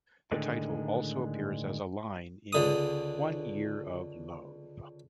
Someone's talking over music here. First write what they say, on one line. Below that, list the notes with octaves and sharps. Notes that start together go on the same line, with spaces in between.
The title also appears as a line in "One Year of Love".
A2 D3 D#3 G#3
C#2 D3 D#6